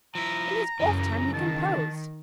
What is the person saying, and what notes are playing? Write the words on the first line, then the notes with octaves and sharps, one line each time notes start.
'In his off time, he composed.
F3 E4 A#5
F#2 C#3 E3
D#3 A5